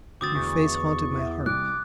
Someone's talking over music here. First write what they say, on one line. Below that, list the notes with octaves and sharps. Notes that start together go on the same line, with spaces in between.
Your face haunted my heart.
D2 C4 D6 D#6 A6
E2 C#6
E5 F#5
C2 D6 F#6